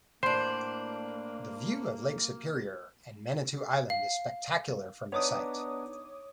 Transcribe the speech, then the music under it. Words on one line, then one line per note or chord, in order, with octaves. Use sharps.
The view of Lake Superior and Manitou Island is spectacular from the site.
A2 A#3 D4 C5 C6
F5
B3 D4 D#4 C#5 D6 D#6